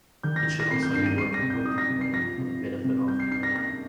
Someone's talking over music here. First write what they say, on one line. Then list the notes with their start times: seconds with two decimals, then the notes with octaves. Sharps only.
It should also be working with the community for the benefit of the community.
0.23 D#3 G6
0.36 A#6
0.47 D#4
0.60 A#6
0.71 C4 C7
0.83 G6
0.94 G2 C7
1.06 D#7
1.18 G3 C7
1.34 A#6
1.42 C3
1.50 G6
1.65 D#4 D#6
1.78 A#6
1.89 C3
2.01 C7
2.13 F3 A#6
2.37 C3
2.61 D#4
2.84 C3
3.08 G3 G6
3.20 C7
3.31 D#4 C7
3.43 A#6
3.55 A#3 A#6